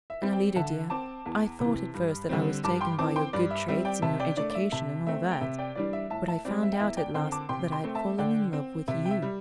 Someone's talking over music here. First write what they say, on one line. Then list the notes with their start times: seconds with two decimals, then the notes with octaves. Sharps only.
And, Alida, dear, I thought at first that I was taken by your good traits and your education and all that, but I found out at last that I had fallen in love with YOU.
0.10 E5
0.22 G3 C4
0.33 D5 G5
0.55 D3 E5 A5
0.90 C4 A5 D6
1.26 E2
1.60 C3 E3
1.94 G2
2.29 D3 G3 C4
2.64 G2 A5 D6
2.81 G5 C6
2.99 E3 C4 A5 D6
3.16 G5 C6
3.33 G2 D5
3.50 E5
3.68 G3 C4 E5
3.85 D5 G5
4.02 C3 E5 A5
4.20 D5 G5
4.37 A3 D4 D5
4.50 D5
4.55 E5
4.71 C3 E5 A5
5.07 A3 C4 E5
5.31 G5
5.41 C3 E5
5.59 D5 G5
5.75 E3 G3 D4 D5
5.93 E5
6.10 A2 E5 A5
6.28 E5 A5
6.45 G3 C4 D5
6.63 E5
6.73 G5
6.80 E2 E5
6.97 D5 G5
7.14 D3 C4 G5 C6
7.32 A5 D6
7.49 C3 G5 C6
7.72 G5 C6
7.84 A3 C4
7.95 E5 A5
8.18 D3 D5 G5
8.53 C4
8.88 C3 E5
9.05 G5
9.11 E5
9.22 G3